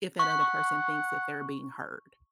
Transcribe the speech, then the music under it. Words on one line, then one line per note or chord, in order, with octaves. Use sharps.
if that other person thinks that they're being heard.
F#5 C#6